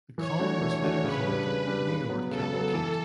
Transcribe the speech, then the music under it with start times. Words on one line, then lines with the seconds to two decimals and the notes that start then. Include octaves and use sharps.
The column was later called "New York Cavalcade".
0.18 E3 C#5
0.39 A3 D4 F#4
0.62 E3
0.82 A3 D4 F#4
1.04 C#3 B4
1.25 G3 D4
1.47 C#3
1.67 G3 D4
1.89 C#3
2.09 F#3 B3
2.31 C#3 A4
2.53 F#3 B3
2.73 E3 A4